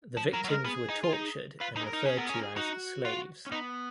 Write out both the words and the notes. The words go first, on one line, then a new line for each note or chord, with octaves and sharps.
The victims were tortured and referred to as "slaves".
F3
F#3 A#4
F#3
G#3 A#4
B3 G#4
D#4
F4
D#4
F4 B4
D#4 B4
G#4
A#4
D#4
C#4 G#4
B3 A#4
G#4
C#4
A#4
G#4
D#4 F#4
F4
C#4
B3 D#4